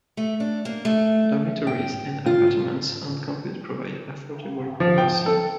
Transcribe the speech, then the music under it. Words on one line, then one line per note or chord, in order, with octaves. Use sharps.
Dormitories and apartments on campus provide affordable housing.
A3
D4
A#3
A3
G5
F4
F3
G5
A4